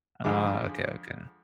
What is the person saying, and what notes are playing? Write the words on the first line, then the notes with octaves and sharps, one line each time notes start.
Oh, okay, okay.
F2 D3 G#3 D6